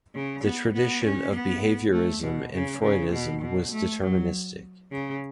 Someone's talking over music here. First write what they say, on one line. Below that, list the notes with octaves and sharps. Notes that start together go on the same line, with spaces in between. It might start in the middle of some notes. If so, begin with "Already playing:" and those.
The tradition of behaviourism and Freudism was deterministic.
C#3
B3
B3
C#4
B3
A3
B2
C#3
C#3
B2
B2
A3
F#3
C#3